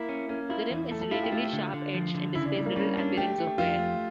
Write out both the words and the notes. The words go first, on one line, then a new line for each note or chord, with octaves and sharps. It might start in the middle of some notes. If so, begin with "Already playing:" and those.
The rim is relatively sharp-edged, and displays little appearance of wear.
Already playing: A#3 E4
C#4
A#3 C#4
E4 F4
E2
A3 A4
A4
E4 F4
G4
A3 F4
D3
D3
F3
D3
C#3 E4
D4
G3 D4
A#3
G3 C#4
C#4 D4
A3 G4
A3
F2 F4
A3